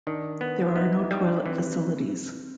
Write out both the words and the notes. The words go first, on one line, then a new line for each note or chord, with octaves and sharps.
There are no toilet facilities.
D#3 D4
B3
E4
B3 D#4
E4
G3
D4
E3 C4